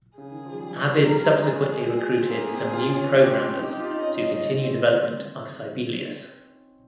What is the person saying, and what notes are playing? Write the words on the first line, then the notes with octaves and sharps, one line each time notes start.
Avid subsequently recruited some new programmers to continue development of Sibelius.
C#3 G#4
D#3
F3
G3
F3
F3
G#3
G3 A#4
G#3
G#4
C4
A#3 G#4
C4
F4
C#4
C#4 G4
C4
C#4
D#4 G4
D#4
F4
D#4
C#4 D#5
C#4
C#4
C4